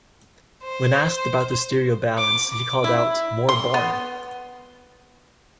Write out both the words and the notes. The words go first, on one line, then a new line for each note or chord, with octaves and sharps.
When asked about the stereo balance, he called out, More barn.
C5
D6
E4
C6
B3